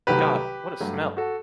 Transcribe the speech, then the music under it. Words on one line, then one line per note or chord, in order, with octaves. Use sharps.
God! What a smell!
C2 C3 D#3 F#3 A3 G4 B4
G2 F#3 A3
F#4 A4